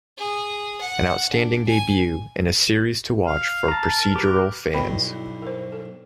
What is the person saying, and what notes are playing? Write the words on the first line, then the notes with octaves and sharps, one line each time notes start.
An outstanding debut and a series to watch for procedural fans.
G#4
F#5
D4
G#5
F5
A5 A#5
A#4
G4 B4
B1 G2 E4 B4 G5 B5
E4
A#4 C5
A4